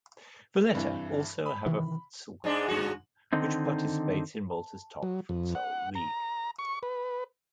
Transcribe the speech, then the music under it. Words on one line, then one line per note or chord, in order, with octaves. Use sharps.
Valletta also have a futsal team which participates in Malta's top futsal league.
G2 C3 E3
B5
C3 D#3 E3
G#2 G#3 D4
G2 F#4
D3 D#3 C4 D#4
F#3
F2
F#5
A#5
C#6
B4